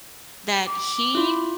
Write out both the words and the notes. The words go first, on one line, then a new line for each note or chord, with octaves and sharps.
that he,
D6
E4 F4